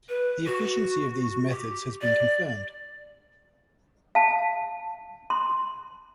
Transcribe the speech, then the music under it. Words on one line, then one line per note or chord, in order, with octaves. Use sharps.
The efficiency of these methods has been confirmed.
B4
F#4
G4
D5
F5 A5
C6